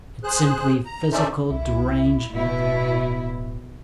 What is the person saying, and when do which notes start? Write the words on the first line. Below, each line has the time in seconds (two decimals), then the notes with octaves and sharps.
It's simply physical derangement.
0.24 G#4 C5 F#6
0.85 A#5
1.12 C#4 D#4 A4 C5 D5 E5
1.51 C2 E4
2.32 D1 B2 E4